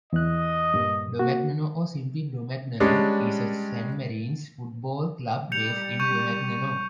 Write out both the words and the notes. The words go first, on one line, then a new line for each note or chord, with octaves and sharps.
Domagnano or simply Domagnano, is a Sanmarinese football club, based in Domagnano.
E2 D#5 F#6
G2 A#2
A#3 F#4
G3 G#3 C#4 D4
G3 G6 C#7 F7
C#6 G6 D#7